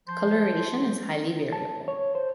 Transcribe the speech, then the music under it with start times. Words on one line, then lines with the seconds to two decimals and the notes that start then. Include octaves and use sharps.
Coloration is highly variable.
0.08 F3 C5
1.52 A5
1.88 C#5
2.15 C5